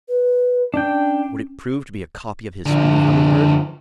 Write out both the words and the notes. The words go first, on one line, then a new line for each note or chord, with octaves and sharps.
Would it prove to be a copy of his speedy Humming-Bird?
B4
C#4 D4 G5
D3 F3